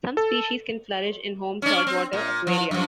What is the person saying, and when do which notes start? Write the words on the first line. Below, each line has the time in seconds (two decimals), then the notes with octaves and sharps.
Some species can flourish in home saltwater aquaria.
0.17 A4
1.62 C#4 D4
1.87 C4
2.13 A#2
2.47 F3
2.71 F#2 F3